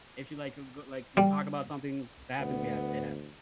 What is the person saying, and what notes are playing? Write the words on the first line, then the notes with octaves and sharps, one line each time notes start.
if she like, a g like, we talk about something that happens, we have it happens.
G3
D2 B3